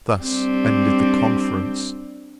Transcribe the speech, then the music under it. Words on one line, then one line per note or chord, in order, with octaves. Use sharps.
Thus ended the conference.
G3 C4 D4